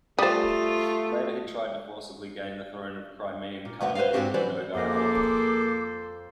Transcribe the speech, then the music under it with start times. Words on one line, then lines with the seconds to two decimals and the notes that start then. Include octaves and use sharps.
Later he tried to forcibly gain the throne of Crimean Khanate and Nogai Horde.
0.19 G3 A3 F4 C5 D#6 A6
3.65 A#2
3.80 D2 B2 B3 F#4 F#5
3.95 B4 C5 D5 D#5 F5
4.13 G#2 D#3 C4 D4 F#4 G4
4.34 E3 F#3 B4 C5 D5
4.74 F2 A#3 F4 G#4 A4 C5 D6 A#6